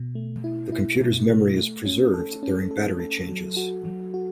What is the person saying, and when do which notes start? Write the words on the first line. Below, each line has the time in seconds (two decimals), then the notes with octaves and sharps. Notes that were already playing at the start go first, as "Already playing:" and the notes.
The computer's memory is preserved during battery changes.
Already playing: B2
0.15 A3
0.44 E4
0.72 E4
1.01 B2
1.29 A3
1.58 A3
1.85 C#4
2.14 A4
2.43 C#4
2.71 A4
3.00 A4
3.29 F#3
3.57 F#4
3.85 F#3
4.14 F#4